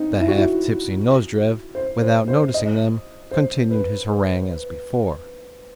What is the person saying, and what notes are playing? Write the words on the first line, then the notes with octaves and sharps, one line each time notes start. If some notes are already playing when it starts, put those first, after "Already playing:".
The half-tipsy Nozdrev, without noticing them, continued his harangue as before.
Already playing: C4 D#4
E4
F#4
E4
C5
C5
C5
D#5
C5
B4